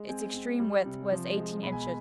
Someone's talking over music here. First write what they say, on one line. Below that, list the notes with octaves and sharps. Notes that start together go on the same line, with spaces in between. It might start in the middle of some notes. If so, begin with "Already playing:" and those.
Its extreme width was eighteen inches.
Already playing: G#3
C4 G#5
C4
G3
C3
F3
G#3
B2 B5
G#5
B5